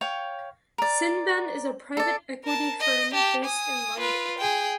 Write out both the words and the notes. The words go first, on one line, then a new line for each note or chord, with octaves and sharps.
Cinven is a private equity firm based in London.
C#5 F5 G5
A#4 D5
A4 D5
A#4 A5
D#5
G4 A5
G#5 D#6
F4 B4
G#4 G5